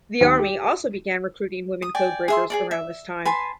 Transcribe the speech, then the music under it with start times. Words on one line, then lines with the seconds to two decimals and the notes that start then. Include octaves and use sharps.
The Army also began recruiting women code breakers around this time.
0.21 D#2
0.39 G4
1.82 D#6
1.95 D5 G5 G#5
2.28 G#4 E5 C6
2.50 G#4 A4 D5
2.71 E5
3.25 B4 G#5 A5 C6